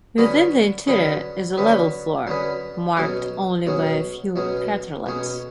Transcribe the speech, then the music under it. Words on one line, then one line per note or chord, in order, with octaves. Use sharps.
Within the interior is a level floor marked only by a few craterlets.
D3 F#3 C#4 G#4 B4
D3 F#3 C#4 G#4 B4
D3 F#3 C#4 G#4 B4
D3 F#3 C#4 G#4 B4
B1 B2 F#3 C#4 G#4
B1 B2 F#3 C#4 G#4
B1 B2 F#3 C#4 G#4
B1 B2 F#3 C#4 G#4